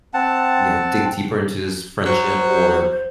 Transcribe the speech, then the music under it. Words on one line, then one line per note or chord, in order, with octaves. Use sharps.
you know, dig deeper into this friendship or,
C4 F#5 A5
F#3 C5